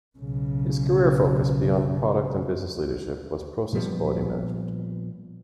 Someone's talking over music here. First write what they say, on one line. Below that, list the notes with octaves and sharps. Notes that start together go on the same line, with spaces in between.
His career focus beyond product and business leadership was process quality management.
B1 C#3
A#2 F3 G3 B3